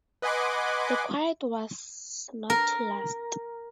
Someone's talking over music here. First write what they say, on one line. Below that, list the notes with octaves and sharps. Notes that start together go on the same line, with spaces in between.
The quiet was not to last.
B4 D#5 F#5 G#5 C6 D6
A#4